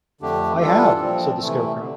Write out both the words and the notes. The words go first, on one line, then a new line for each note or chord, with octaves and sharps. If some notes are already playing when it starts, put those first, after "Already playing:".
"I have," said the Scarecrow.
F2 D3 A3 D4 G4
E3 G3 D4 F4 A4
A#2 F3 C4
C3 E3 A3
D3